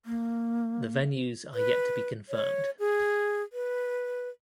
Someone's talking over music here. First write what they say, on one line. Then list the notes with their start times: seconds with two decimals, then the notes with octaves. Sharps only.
The venues are yet to be confirmed.
0.06 A#3
1.55 B4
2.29 C#5
2.80 G#4
3.53 B4